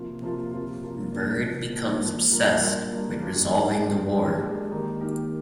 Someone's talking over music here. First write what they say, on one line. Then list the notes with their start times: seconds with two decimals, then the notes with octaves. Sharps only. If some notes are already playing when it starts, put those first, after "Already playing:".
Bird becomes obsessed with resolving the war.
Already playing: C3 F3 A#3 F4
0.22 C3 F3 A#3 F4
0.51 C3 F3 A#3 F4
0.82 C3 F3 A#3 F4
1.12 A#2 F3 A#3
1.42 A#2 F3 A#3
1.71 A#2 F3 A#3
2.01 A#2 F3 A#3
2.31 A#2 G3 D4 F4 A#4
2.61 A#2 G3 D4 F4 A#4
2.92 A#2 G3 D4 F4 A#4
3.21 A#2 G3 D4 F4 A#4
3.51 G#3 D4 G4 A#4
3.81 G#3 D4 G4 A#4
4.11 G#3 D4 G4 A#4
4.41 G#3 D4 G4 A#4
4.71 D#3 A#3 D#4 G4 A#4
5.00 D#3 A#3 D#4 G4 A#4